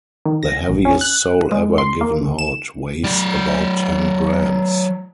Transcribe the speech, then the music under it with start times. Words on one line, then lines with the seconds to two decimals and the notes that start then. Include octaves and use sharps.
The heaviest soul ever given out weighs about ten grams.
0.25 D#3
0.43 A#6
0.69 A1
0.85 C#4
1.01 F#6
1.52 G#3
1.78 C6
2.01 A#3
2.21 D2
2.39 E7
3.04 F#3 D5